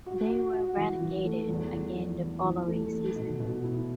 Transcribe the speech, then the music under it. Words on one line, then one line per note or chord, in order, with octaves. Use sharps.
They were relegated again the following season.
F#4
F#4
F#4
E3
E3
A3
E2
E3
E2
E3
E3
A3
A3
B2
B2
E4